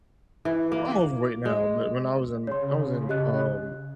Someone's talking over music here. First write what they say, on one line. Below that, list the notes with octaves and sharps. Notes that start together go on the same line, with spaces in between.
I'm overweight now, but when I was in I was in, um,
E3
A#3
G#3
C#3 C#5 C6
G4 D#5 F#6